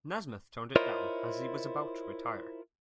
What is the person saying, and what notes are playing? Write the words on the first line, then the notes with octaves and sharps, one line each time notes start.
Nasmyth turned it down as he was about to retire.
E4 F4 A#4 C5 C#5 D#5